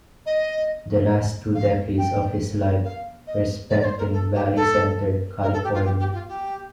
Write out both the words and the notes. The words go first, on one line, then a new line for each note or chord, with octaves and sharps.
The last two decades of his life were spent in Valley Center, California.
D#5
F5
G5
F5
D#5
D5
D5
C5
A#4
A4
G4
A4
A#4
A4
G4
F4
G4
G4
F4
G4